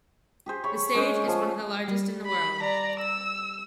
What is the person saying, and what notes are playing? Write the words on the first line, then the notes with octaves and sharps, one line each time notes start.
The stage is one of the largest in the world.
G4 G#4 C5
C#5 B5 C#6
G#3 C#4 C5 C#5
F3
G3
B5
D5 A#5
E6